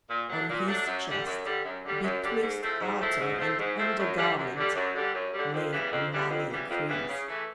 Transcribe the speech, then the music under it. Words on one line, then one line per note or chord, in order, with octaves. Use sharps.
On his chest, betwixt outer and under garment, lay a Malay kreese.
A#2
F#3 A3 D4
A#2
F#3 A3 D4
F#2
D3 G3
F#2
D3 G3
F#2
D3 G3
F#2
D3 G3
G#2
F3 A3 C4 E4
G#2
F3 A3 C4 E4
G#2
F3 A3 C4 E4
G#2
F3 A3 C4 E4
F#2
D3 G3
F#2
D3 G3
F#2
D3 G3
F#2
D3 G3
F2
C#3 E3 G3 B3
F2
C#3 E3 G3 B3
F2
C#3 E3 G3 B3
F2
C#3 E3 G3 B3
C#3
E3 A3